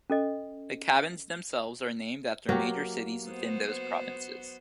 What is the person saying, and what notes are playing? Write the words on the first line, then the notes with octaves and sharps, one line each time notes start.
The cabins themselves are named after major cities within those provinces.
C#4 A4 D#5
F#3 A#3 G4
B3 F#4 C5